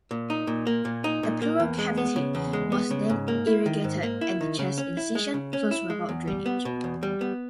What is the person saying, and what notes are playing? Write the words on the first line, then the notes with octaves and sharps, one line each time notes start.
The pleural cavity was then irrigated and the chest incision closed without drainage.
A#2
D#4
A#2
A#3
A#2
D#4
A#2
A#3
E2
G#3
B3
C#3
E2
G#3
B3
C#3
G#2
A#3
E4
D#3
G#2
A#3
E4
D#3
C#3
C#4
E4
G#3
C#3
C#4
E4
G#3
E2
G3
B3
B2
E2
G3
B3